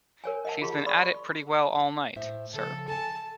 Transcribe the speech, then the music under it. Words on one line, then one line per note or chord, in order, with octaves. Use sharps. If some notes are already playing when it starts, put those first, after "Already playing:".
She's been at it pretty well all night, sir.
A#4 C#5 G#5
D#5 F#5 A5
F4 G#4 C6
D5 B5 C#6 D#6
A2 C5 E5
C#3 F3 A4
A4 G#5 A5